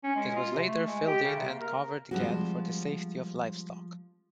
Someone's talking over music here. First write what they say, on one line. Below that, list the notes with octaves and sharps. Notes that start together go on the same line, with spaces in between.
It was later filled in and covered again, for the safety of livestock.
C#4
G#3
F4
C3
A3
G#3
G4
C#3
C3
A#3
A#4
F3 G3 G#3 C4 F#4